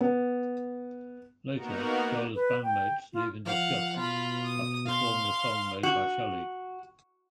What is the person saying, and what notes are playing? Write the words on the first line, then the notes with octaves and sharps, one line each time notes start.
Later, Skyler's bandmates leave in disgust after performing a song made by Shelley.
B3
A#3 B3 D#4 F#4 A#4
B4
G5
F4
F3 F5 F#5
B2 F4 B5
D#6
F5 C6
F#4